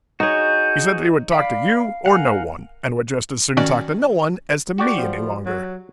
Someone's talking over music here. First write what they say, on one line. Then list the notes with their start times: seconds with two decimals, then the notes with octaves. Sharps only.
He said that he would talk to you or no one and would just as soon talk to no one as to me any longer.
0.20 D#4 F#4 G#4 C#5 G6
1.32 D5 F5 B5
2.06 A#4 F5 F#5 G#5
3.57 D#3 C#4 F#4 D5
4.78 F#4 G4 D5
4.97 F3
5.46 F#3